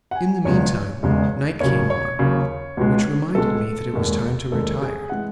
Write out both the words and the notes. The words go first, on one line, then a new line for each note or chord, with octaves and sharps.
In the mean time night came on, which reminded me that it was time to retire.
F#5
G#5
E1 E2 C#3 G#3 C#5
E1 E2 C#3 G#3
D#2 C#3 F#3 C#5
C#5
D#2 C#3 F#3
C#2 B2 G#3
C#2 B2 G#3 A4
E1 D#2 D#3 G#3
E1 D#2 D#3 G#3 A4
G#4
E3 G#3 F#5